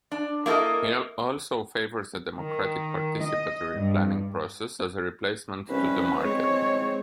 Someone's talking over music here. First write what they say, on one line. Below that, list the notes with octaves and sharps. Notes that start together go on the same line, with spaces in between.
He also favors a democratic participatory planning process as a replacement to the market.
D4
A#3 E4 F4 A4 D#5
D#3
D#5
G2
C2 C#4 B4
G#3 C4 C#5